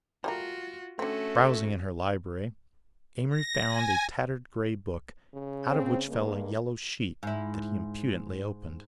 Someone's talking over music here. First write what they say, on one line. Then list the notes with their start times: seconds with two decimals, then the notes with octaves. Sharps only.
Browsing in her library, Amory found a tattered gray book out of which fell a yellow sheet that he impudently opened.
0.24 G3 A3 F4 F#4 A#4
0.99 D3 A3 C4 C#4 F#4
3.31 A#6
3.68 G#5
5.34 C#3
5.68 C4 C#4
6.08 G2 G#3 A#3
7.23 G#2 E4